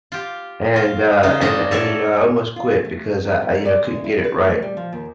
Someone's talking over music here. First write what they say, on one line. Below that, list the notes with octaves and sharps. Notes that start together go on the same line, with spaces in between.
and, uh, and and, you know, I almost quit because I I, you know, couldn't get it right,
F4 G4
F4
C#3 D#4 F4
G2 D4 F4 F#4 D#5
G#2 A4 C#5 D5 E5
F4
A3
F2
G#2
D5
G#3
E4
B4
A3
G3
F3
D#2